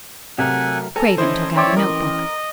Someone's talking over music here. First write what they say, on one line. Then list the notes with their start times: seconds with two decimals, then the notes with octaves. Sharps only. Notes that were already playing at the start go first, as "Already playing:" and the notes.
Craven took out a note-book.
0.38 C3 F#3 A3 A#4 F#5 G#5
0.96 A4 G#5 A#5
1.18 E3 C#4 E4 C5 D#5
1.57 C#5 D5 E5 G5 C6 D6
1.77 A#4 D#5